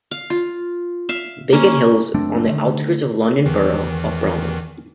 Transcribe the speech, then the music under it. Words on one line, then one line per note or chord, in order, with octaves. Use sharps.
Biggin Hill is on the outskirts of the London Borough of Bromley.
F5
F4
E5 F5
A#3 C#4
F#1 A3 C4 D4
D3 D#3 A3
E2 D#3 E3